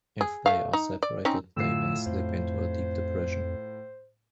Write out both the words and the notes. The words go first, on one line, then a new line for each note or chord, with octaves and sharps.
If they are separated, they may slip into a deep depression.
G#4
A3 F5
D#4
D5
C4 C#4 D#4
A2 D3 F4 E6 C7
F2 C5